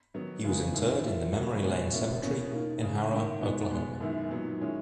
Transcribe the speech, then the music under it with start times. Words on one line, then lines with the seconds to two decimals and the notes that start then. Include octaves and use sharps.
He was interred in the Memory Lane Cemetery in Harrah, Oklahoma.
0.14 D#3 F#3 B3 D#4
0.44 C#3 E3 G#3 B3
0.74 F#2 D#3 G#3
1.03 A#2 A#3 E4
1.33 C#3 F#3 A#3
1.62 B2 G#3 B3
1.92 B2 A#3 C#4 E4
2.22 E2 B2 A#3 C#4
2.52 B2 A#3 D#4
2.82 C#3 G#3 D#4
3.12 G#2 D#3 A#3 E4
3.41 B2 G#3 B3 D#4
3.70 B2 G#3 B3
4.01 F#2 D#3 G#3 B3 E4
4.30 A#2 F#3 B3 D#4
4.60 D#3 G#3 C#4 E4